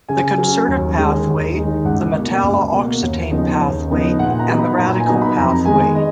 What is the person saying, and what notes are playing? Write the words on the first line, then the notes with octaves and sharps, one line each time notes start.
The concerted pathway, the metalla oxetane pathway and the radical pathway.
C#3 G#5
F#3 C#4
D#2
D#3 G#3 D#4
D#2
D#3 G#3 D#4
C#2 F#5
B2 A#3
C#2
B2 A#3
D#2
C#3 F3 B3 D#4
D#2
C#3 F3 B3 D#4
A#2 F#5
A#5
F#3 B3 D#4
B5
A#2 A#5
G#5
F#3 B3 D#4 A#5
B5
F2 A#5
D#3 G#3 B3 G#5
D#5